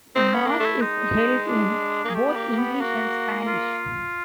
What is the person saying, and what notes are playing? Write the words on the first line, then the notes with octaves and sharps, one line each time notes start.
Mass is held in both English and Spanish.
C4 D#4
B3 C#4
A#3 D4
A3
E4
G#3 D#4
D4
A#3
G#4
A3 G4
B3
A#3
A#3
B3
A#3 F#4
F4